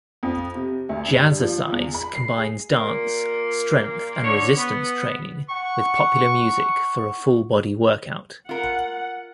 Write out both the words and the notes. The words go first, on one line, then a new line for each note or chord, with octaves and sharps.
Jazzercise combines dance, strength, and resistance training with popular music for a full-body workout.
F2
C3
D2
G2
F3
E2
B5
C7
G#4
A#2 A#3
D3 C#5
B3
F#5 C#6
F4 A#4 F#5